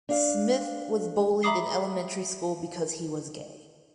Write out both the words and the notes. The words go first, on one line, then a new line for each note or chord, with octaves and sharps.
Smith was bullied in elementary school because he was gay.
D4 F5
E5 A#5 B5 D6 D#6 C7